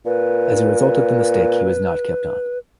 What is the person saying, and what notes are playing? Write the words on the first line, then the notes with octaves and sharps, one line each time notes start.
As a result of the mistake he was not kept on.
A#2 B4